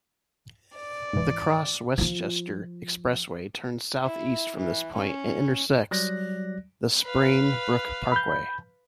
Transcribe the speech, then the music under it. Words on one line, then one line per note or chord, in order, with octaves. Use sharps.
The Cross-Westchester Expressway turns southeast from this point and intersects the Sprain Brook Parkway.
D5
G#2 E3
F3 F4
E4
E3
C#4
F#3 G3 D5 F#6 A#6
B4 F5
B5 G6